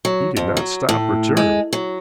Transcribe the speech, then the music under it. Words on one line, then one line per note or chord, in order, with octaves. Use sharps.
He did not stop or turn.
F#3
F2
F#3
A2
G#3
F#3